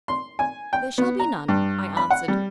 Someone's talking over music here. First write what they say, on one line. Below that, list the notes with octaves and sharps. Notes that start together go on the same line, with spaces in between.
'There shall be none,' I answered.
C6
G#5
G5
B3
A#5
G2
B5
F#5
G3